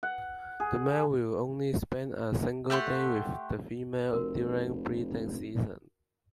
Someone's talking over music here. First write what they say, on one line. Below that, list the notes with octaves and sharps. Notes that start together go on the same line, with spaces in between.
The male will only spend a single day with the female during breeding season.
F#5
G#4
A3 G4 F#5 C6
F1 F#4 A#4